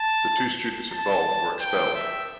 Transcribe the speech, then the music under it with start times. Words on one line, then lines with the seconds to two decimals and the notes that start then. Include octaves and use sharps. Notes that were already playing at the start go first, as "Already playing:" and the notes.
The two students involved were expelled.
Already playing: A5
0.92 A5
1.60 G5
1.94 E5